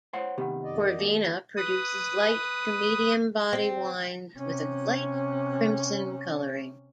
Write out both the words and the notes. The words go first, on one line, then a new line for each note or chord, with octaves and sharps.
Corvina produces light to medium body wines with a light crimson coloring.
C5 C#5 F#5
C3 D#3 B3 G4 F#5
F#2 D5 D#5
D#2
B4 D#6
C4
C3 C#4